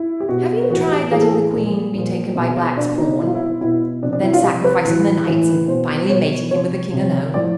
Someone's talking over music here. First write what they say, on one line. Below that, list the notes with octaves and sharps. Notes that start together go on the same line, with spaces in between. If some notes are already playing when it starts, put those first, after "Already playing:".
"Have you tried letting the Queen be taken by Black's pawn, then sacrificing the Knights, and finally mating him with the King alone?"
Already playing: E4
G4
B2 F#4
A2 E3 F#4
G4
A2 E3 G#4
A4
G#4
A#2 F3
A#2 F3
B2
B2 D4
D#4
B2 E4
F4
E4
B2 E4
C3 F3 D4
D4
E4
F4
C3 F3 G4
B4
A2 E3
A2 E3
B2 C5
B2 C#5
C3 F3 C#5
C3 F3
A2 F3 D5